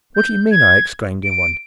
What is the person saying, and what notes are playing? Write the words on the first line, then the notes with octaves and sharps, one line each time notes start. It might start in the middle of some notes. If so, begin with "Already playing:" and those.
"What do you mean?" I exclaimed, in wonder.
G6
G#6
D7